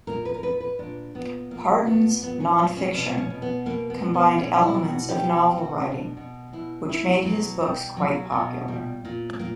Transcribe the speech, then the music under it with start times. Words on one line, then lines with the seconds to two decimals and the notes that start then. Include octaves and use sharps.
Parton's nonfiction combined elements of novel writing, which made his books quite popular.
0.07 A#2 A#4
0.25 B4
0.34 A#4
0.43 A#2 B4
0.60 B4
0.79 A#2 D4
1.15 A#2 B3
1.51 A#2 A#3
1.86 A#2 B3
2.23 A#2 B3
2.40 C#4
2.58 A#2 C#4
2.76 C#4
2.94 B2 C#4
3.18 C#4
3.30 B2
3.42 B3
3.66 B2 A#3
3.90 B3
4.02 B2
4.14 B3
4.37 B2 C#4
4.62 E4
4.74 B2
4.85 F#4
5.09 B2 G4
5.33 G4
5.45 B2
5.57 F#4
5.81 B2 D4
6.17 B2
6.53 B2 E4
6.89 B2 E4
7.25 B2 F#3
7.61 B2 G3
7.96 B2 F#3
8.32 B2
8.68 A#2 G3
9.05 A#2 A#3
9.39 A#2 A#3